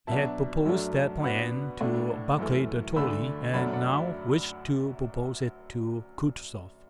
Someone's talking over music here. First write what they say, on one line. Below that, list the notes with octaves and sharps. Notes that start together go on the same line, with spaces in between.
He had proposed that plan to Barclay de Tolly and now wished to propose it to Kutuzov.
B2 F#3 D4 E5 A5
F#2 F#3 A3 D4
B2 B3 D4 F#5 B5
A2 A3 D4
F#2 E3 A3
D2 D3 A3 D4 B5 E6
F#2 F#3 A3 D4 F#5 B5
D5 F#5
E5